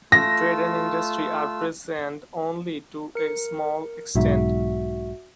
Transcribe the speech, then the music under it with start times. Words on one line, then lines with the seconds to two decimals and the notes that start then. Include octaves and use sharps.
Trade and industry are present only to a small extent.
0.12 A3 F4 E6 A#6
3.15 A#4 C#7
4.15 B1 G#2 F#4 E5